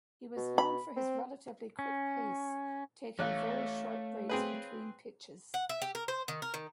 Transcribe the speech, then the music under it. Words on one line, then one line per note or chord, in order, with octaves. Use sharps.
He was known for his relatively quick pace, taking very short breaks between pitches.
B2
B5
C4
C#4
A1 A3 C#5 F5 F#6
C4 G#4 B4
F#5
E5
G4
A#4
C5
D#3
A#4
D#3